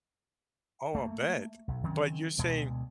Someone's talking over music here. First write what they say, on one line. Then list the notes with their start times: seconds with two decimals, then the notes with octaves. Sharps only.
Oh, I'll bet. But you're saying
0.95 A3 A#3
1.68 B1
1.84 D#3 F#3 C4 C#4
2.38 D2 B2 G#3